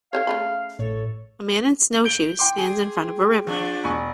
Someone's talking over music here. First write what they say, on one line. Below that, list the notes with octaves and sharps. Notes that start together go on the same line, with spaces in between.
A man in snowshoes stands in front of a river.
A4 C5 C#5 F5
C#3 A3 B5
A1 A2 A4 C#5
G6 D7 G7
G5 C6 D6
G#4
F3 D4
E1 G#5 C#6